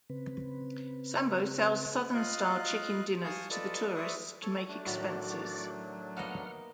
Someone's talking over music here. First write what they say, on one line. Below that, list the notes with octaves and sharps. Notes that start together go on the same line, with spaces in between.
Sambo sells Southern style chicken dinners to the tourists to make expenses.
C#3 C4 B4
F4 D#5 F5 F#6
F5 G#5 A5 C#6 D#6 G6
F4 A4 B4 D5 D#5 A5
B4 C5 D5 E5 C#6 D#6
A4 C#5
A3 D4
A2 D#3 F#3 F#4 D5 B5
A#3 B3 D#5 F#5 F6